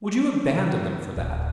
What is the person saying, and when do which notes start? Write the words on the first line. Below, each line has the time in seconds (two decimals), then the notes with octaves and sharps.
Would you abandon them for that?
1.17 D1